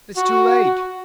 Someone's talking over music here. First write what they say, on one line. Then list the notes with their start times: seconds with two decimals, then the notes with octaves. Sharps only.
"It's too late!"
0.17 F#4